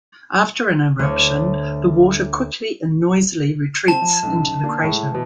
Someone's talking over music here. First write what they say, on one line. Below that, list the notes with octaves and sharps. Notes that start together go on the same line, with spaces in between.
After an eruption, the water quickly and noisily retreats into the crater.
D2 C#5
C4 A5 E7
F3
B1 F#2
D3 A#3 D4
A2 G#3
B2 E3